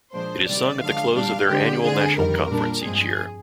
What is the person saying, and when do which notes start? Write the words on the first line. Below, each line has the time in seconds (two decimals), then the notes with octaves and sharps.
It is sung at the close of their annual national conference each year.
0.13 A#2 F3 G#3 D4 C5
0.48 C3 D#3 G3 D5
0.82 D3 F3 G#3 D4 F5
1.15 A#2 G3 D4 F5
1.49 D3 G#3 C4 G4
1.82 D3 G#3 C4 G#4
2.17 F2 D#3 G3 A#4
2.50 A#2 G3 D4
2.84 G2 F3 G#3 C4 G#4